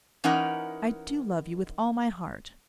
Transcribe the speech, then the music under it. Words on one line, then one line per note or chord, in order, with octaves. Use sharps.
I do love you with all my heart.'
E3 C#4 D#4 A#4 F#5 A#5